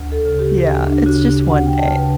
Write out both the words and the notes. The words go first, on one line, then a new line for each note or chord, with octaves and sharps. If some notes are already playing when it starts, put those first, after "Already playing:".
Yeah, it's just one day.
Already playing: D2
A4
C#3
G4
D2 F#4
D4
C#3 F#4
G4
D2 F#5
G5
A5
C#3 G5
B4